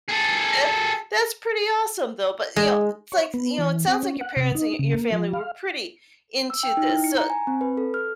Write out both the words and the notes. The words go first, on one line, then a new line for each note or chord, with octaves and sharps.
that's that's pretty awesome, though, but, you know, it's like you know, it sounds like your parents and y your family were pretty into this, so,
G#4 A4
G#3
C#5
B3
E3
C4
C#4
F#5
C3
D#4
C#3
A#3
F3
F5
E6
G5
D#4
E4
C#7
A#5
G#5
C4
B4
A4
F6